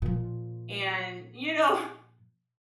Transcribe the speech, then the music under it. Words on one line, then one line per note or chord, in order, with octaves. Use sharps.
And, you know,
A#2 F3